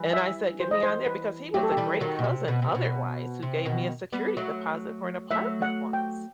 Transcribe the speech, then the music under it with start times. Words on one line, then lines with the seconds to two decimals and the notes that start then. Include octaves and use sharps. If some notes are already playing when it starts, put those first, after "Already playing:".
and I said, "Get me on there." Because he was a great cousin otherwise who gave me a security deposit for an apartment once,
Already playing: E3 G3
0.13 E5
0.60 C5
0.71 D#5
0.83 C5
1.07 B4
1.54 F#3 A3 G4
1.63 A4
1.72 G4
1.77 E3 G3
2.00 D#3 F#3
2.19 B2
2.24 C3
2.48 B2
2.62 C3
2.75 B2
3.43 C3
3.65 B2 D#3
4.12 G3 B3
4.37 F#3 A3
5.31 F#3 A3 E5
5.62 F#5
5.93 G5